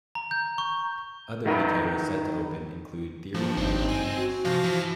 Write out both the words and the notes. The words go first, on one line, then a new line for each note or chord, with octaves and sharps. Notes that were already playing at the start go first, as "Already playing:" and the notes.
Other retailers set to open include Theory and Intermix.
A#5
G6
C#6
D#3 D#4 A#4 B4
G2 F3 A#3
G#1 G2 C4 D#4
G#5
F#4
C2 G2 F3 F5 A#6
E3